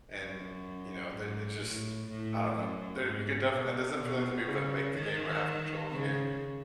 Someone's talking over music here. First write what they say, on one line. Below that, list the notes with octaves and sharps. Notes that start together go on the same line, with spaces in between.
And, you know, they it just I don't know, there you can defi it doesn't feel like the people that make the game or have control of the game
F#2
G#2
A2
A2
F#2
G#2
B2
B2
C#3
D#3
C#3